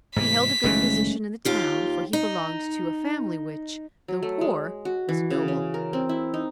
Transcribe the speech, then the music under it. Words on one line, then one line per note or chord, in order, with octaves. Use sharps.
He held a good position in the town, for he belonged to a family which, though poor, was noble.
G#2 C3 E3 B6
F#1 D#3 E3 G#3 A3 C#4
D#2 F4 G4
D#4
F#3
A3
G#3
F#4
E3
C#3
C#4
A#4
C4
E4
D#4